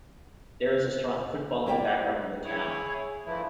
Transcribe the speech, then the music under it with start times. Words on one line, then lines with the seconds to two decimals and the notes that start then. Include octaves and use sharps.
There is a strong footballing background in the town.
1.66 A#3 E4 G4 D5 G5
2.44 E4 G#4 C#5
3.25 G2 E3 F3 A3 E4